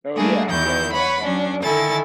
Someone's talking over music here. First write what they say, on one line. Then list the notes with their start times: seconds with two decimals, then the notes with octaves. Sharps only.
Oh, yeah. Yeah, yeah, yeah, definitely.
0.16 G3 A3 A#3 D4 G#4
0.49 E2 D#3 E3 E4 G6
0.93 B4 C#5 F#5 B5
1.23 F#3 C#4 D4
1.63 D3 D#3 E4 A4 G#5 A6